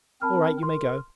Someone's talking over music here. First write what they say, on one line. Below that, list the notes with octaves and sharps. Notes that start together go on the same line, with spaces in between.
'All right, you may go!'
C4 A#4 A5 B5 F6
A#4 C6